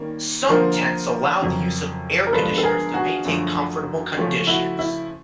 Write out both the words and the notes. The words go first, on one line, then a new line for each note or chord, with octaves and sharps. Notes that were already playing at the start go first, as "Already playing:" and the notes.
Some tents allow the use of air conditioners to maintain comfortable conditions.
Already playing: D#3 G3 A#3 C#4
D3 F3 A#3 A#4 C5
F2 C#3 F#3
A#4
G2 D3 F3 G#3 B3 A4 B4
A4
G#4 A#4
F#4 G#4
F#2 D3 F3 A3
C#3 F3 A3 C#4
E4 F#4
E4